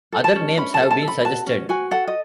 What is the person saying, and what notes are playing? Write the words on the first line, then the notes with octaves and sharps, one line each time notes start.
Other names have been suggested.
A4
A5
C#4
C#4 B5
A5
A4
A5
A4
B5
F#4 A5
C#4
F#4 G#5
A4 F#5
D#5